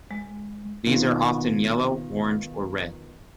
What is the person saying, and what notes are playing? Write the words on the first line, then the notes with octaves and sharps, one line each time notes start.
These are often yellow, orange or red.
G#3
B2 D#3 A#3 B3 F4